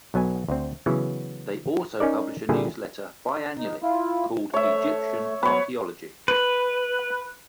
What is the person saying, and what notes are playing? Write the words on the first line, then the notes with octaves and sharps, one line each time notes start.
They also publish a newsletter bi-annually called "Egyptian Archaeology".
B1 F#3 B3 G#5
D2 C4
C#3 E3 F#3 B3 C#4
C#4 D#4 A#4 D5
A#2 D3 G3 E4 G#4
D#4
E4 F4
A3 C#5 E5
F#3 B3 B4 C#5
B4